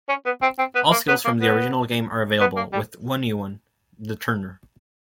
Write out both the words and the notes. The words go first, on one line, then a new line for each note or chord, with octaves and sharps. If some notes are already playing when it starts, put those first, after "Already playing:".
All skills from the original game are available, with one new one: the turner.
C#4
B3
C4
C4
B3
A#3
B3
A#3
B3
B3
A#3
G3